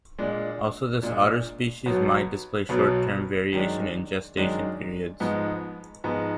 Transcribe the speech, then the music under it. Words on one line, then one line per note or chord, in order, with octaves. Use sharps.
Also, this otter species might display short-term variation in gestation periods.
A#2 G#3 D4
A#2 G#3 D4
B1 B2 F#3 B3
B1 B2 F#3 B3
F#2 D#3 G#3 D4
F#2 D#3 G#3 D4
G#2 F3 G#3 B3
G#2 F3 G#3 B3